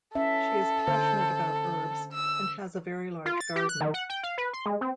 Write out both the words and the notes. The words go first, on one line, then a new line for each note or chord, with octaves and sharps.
She is passionate about herbs and has a very large garden.
C#4 A4 E5
D3 C5
E6
F4
A6
G4
F#6
D#3
F#5
G5
F5
B4
C6
G#3
C4